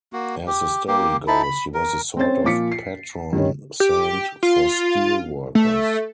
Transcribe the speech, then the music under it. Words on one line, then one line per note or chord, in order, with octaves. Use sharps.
As the story goes, he was a sort of patron saint for steel workers.
A#3 F#4
G4
A#3 G4
D#4 E4 A5 B5
B5
A#4
C4 C#4 C5 A6
A#2 F3 F4 D6 B6 C#7
C7
G2 D#3 C#4
G4
F4
A3